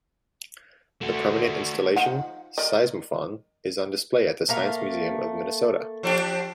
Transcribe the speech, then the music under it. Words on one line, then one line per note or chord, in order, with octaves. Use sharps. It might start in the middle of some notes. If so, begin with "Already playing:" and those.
The permanent installation Seismofon is on display at the Science Museum of Minnesota.
A3 F#4
D#3 F3 F#5
A#4 D5 D#5
A3 A#3 F5
F3 D4 G4